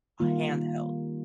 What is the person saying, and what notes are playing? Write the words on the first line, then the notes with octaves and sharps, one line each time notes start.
a handheld,
D#3 G3 A#3 F4